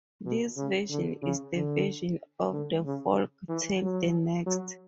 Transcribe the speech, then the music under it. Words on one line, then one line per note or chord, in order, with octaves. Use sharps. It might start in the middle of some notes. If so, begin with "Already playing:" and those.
This version is the version of the folk tale the next.
B2
C#3
D3
C#3
D3
D3
C#3
E3
F#3
F#3